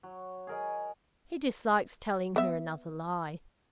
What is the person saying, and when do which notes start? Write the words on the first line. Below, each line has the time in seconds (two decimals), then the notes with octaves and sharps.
He dislikes telling her another lie.
0.03 F#3
0.47 G#4 A#4 D#5
2.36 B3 E5